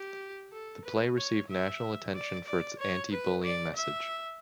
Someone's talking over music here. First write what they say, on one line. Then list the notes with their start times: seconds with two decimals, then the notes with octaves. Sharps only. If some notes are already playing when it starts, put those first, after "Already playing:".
The play received national attention for its anti-bullying message.
Already playing: G4
0.53 A4
0.85 B4
1.17 C#5
1.50 E5
2.14 D5
2.46 D5
2.79 C#5
3.12 B4
3.44 D5
3.76 E5